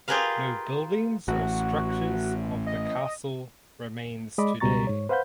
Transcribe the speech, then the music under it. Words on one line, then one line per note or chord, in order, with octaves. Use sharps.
No buildings or structures of the castle remains today.
F4 G4 G#4 A#4 B4 F5
A1 F#4
D#5
G#3 D5 D#5 B5 D6
C#2 B2 G3 A#5 C#6 A6
G#2 C#5
B4 C5 F5 F#5 B5 G6